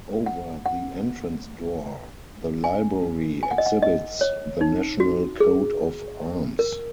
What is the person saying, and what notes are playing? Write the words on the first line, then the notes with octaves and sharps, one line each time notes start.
Over the entrance door, the library exhibits the national coat of arms.
F#5
F#5
G#5
G#5
F#5
D#5
F#5
D#5
C#5
D#4
F#4
G#4
A#4